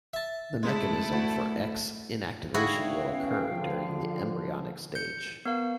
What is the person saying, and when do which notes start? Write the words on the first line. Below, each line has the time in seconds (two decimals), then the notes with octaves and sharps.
The mechanism for X inactivation will occur during the embryonic stage.
0.14 E5 A5
0.63 G#3 A3 E4 A4
1.13 D2
2.54 G#2 D3 E4 F#4 G#4 F5 G5
3.12 B3 C#4
3.51 D3 F3
4.95 G6 C#7
5.46 B3 A#4 F5